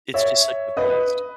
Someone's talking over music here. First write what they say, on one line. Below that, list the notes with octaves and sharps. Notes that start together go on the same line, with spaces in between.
it's just such a blast.
C#5 E5
B4 D#5